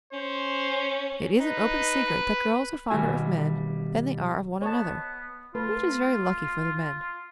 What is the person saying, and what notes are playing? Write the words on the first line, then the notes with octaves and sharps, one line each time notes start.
It is an open secret that girls are fonder of men than they are of one another--which is very lucky for the men.
C#4 C5
D#4 B4
B2 D#3 G3 C#4 F#4 G#5
B3 C#5 D#5 A5
A3 F4 A4 B4